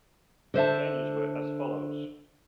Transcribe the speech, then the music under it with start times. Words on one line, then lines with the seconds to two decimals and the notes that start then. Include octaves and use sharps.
The changes were as follows.
0.54 D3 C5 E5 A5